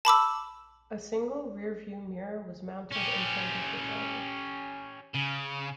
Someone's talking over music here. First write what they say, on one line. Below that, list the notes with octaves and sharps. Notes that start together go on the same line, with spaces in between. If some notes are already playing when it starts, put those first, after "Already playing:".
A single rear view mirror was mounted in front of the driver.
A5 B5 D6 E6
C#4 G4
C#3